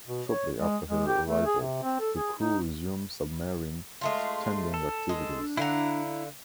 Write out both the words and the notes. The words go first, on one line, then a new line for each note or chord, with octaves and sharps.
Shortly after her arrival, her crew resumed submarine tending activities.
B2
C#5
G#3
G#3
G4
A3
G#4
C3
C4
A4
G#4
D#4
G#3 A3 F4
A4
G#3
D4
D3 E4 F5 F#5 A#5